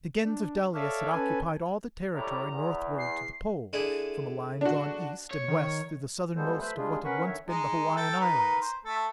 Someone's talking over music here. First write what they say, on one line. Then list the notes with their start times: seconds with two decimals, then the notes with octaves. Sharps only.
The Gens of Dalis had occupied all the territory northward to the Pole, from a line drawn east and west through the southernmost of what had once been the Hawaiian Islands.
0.23 D4
0.75 A4 C#5 D5 E5 F5
1.12 C#4 A4 B4 G#5
2.15 A2 G3 A#5
2.50 E2
2.99 C7
3.73 D3 E4 G#4
4.61 D4 F#4
5.31 C#5
5.48 D#3
6.36 F3 G3 G#3 B3 A4 C5
6.60 A3 B4 C5 E5 B5
6.76 G3 G#3 D4 F4 G#4
7.05 C#4 A#4 B4 F#5 B5 C#6
7.26 D3 D#3 C#5 E5
7.48 G#3 D#4
7.96 A4 G5
8.20 D#4 A#4 B4
8.61 C5
8.85 A3 A4